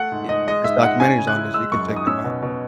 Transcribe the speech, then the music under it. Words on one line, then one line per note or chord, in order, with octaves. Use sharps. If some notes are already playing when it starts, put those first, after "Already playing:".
I there's documentaries on this. You can check them out.
Already playing: A3 F#5
G#2
G#2 D#5
G#3 D#5
G#2 E5
D#4 F#5
C#4 G#5
C#3
F#6
E4
G#3 E6
F#2 C#6
D#4
D#6
C#4 E6
B2
B2